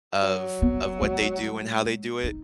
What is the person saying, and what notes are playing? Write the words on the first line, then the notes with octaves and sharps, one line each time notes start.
of of what they do and how they do it,
F#3
B3
G#3
D#4